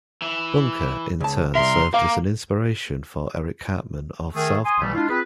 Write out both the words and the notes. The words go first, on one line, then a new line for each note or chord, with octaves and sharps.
Bunker, in turn, served as an inspiration for Eric Cartman of "South Park".
E3
C#2 A5
C2 C3 A#4 E5 C6
A#3 F5 D6
D#3 A3 G#4
G#5 C6 D#6
E3 G3 A3
G#3 D4 E4 F4
C4 F4 G#4 B4